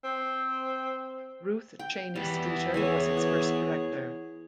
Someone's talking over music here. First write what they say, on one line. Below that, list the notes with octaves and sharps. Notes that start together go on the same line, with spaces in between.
Ruth Cheney Streeter was its first director.
C4
G5
E2 G3 B3
E3 G#4 C#5 E5 G#5
F#5